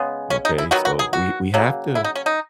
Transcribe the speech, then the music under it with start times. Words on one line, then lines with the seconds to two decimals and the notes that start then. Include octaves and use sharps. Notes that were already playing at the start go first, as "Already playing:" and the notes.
Okay? So we we have to,
Already playing: C#3 G#3 B3
0.30 C#4
0.45 D#4
0.58 E4
0.71 D#3 F#3 B3 F#4
0.85 F#4
0.99 G#4
1.13 F#4
1.54 C#3 F#3 A#3
1.95 E4
2.04 D#4
2.15 C#4
2.26 D#4